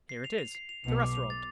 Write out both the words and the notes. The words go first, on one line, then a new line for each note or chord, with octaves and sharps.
Here it is--the restaurant.
C7
F7
F7
C7
F7
B1 B2 F7
D6
F7
A6